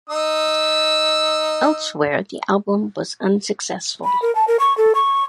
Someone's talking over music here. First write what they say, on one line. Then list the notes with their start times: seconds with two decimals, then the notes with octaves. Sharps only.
Elsewhere, the album was unsuccessful.
0.10 D#4 E6
4.04 B5
4.22 A#4
4.35 A5
4.48 A#4
4.59 C#6
4.77 A4
4.95 C#6